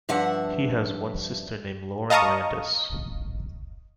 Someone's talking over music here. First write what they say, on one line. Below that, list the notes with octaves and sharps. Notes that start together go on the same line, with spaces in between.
He has one sister named Lauren Landis.
G2 F3 D4 E5 F#5
D#5 F5 A5 A#5 C#6 D#6